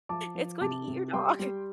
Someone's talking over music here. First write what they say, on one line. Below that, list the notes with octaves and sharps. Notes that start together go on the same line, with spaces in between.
It's going to eat your dog.
F3 A5 D6
F3
C3 A5 D6
C3
G3 G5 C6
G3